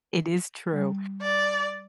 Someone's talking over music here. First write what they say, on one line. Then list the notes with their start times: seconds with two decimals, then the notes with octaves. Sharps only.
It is true.
0.73 G3
1.22 D5